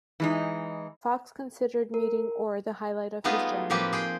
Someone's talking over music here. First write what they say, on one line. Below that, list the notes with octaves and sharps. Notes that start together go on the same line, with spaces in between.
Fox considered meeting Orr the highlight of his journey.
E3 G#3 D#4
A#4
G3 A3 B3 D#4 F4 G#4
A2 F3 A#3 C4 G4 B4
G#4 C5 G5